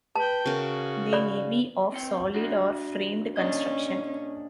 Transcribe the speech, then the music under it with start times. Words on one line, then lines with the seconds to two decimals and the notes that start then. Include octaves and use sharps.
They may be of solid or framed construction.
0.15 B4 G5 A5
0.46 C#3 F#4 A#4
1.13 D5 B5
1.92 C4 C#5 G5
2.34 D4 F#4
3.37 A#2 C#4 D4 D#5